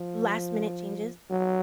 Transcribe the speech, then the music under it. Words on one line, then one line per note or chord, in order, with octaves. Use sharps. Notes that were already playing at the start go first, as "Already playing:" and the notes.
last minute changes,
Already playing: F3
F#3